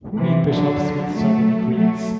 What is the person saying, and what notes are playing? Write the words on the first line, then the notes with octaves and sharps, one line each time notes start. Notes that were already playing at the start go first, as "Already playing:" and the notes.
Who need bishops with so many queens?
C3 E3
D3 F#3
F#3 A3
F#3 A3